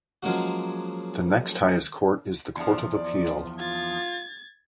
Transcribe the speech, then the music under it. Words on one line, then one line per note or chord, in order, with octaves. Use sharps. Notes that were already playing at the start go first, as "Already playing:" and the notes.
The next highest Court is the Court of Appeal.
F3 F#3 G#3 A#3 C#4 F#4
E2 F3 D4
D5
F4 G#6 A6